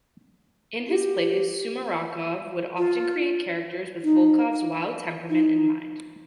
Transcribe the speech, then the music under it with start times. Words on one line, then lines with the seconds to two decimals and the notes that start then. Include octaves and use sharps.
In his plays, Sumarokov would often create characters with Volkov's wild temperament in mind.
0.88 G4
2.77 F4
4.03 D#4
5.29 D#4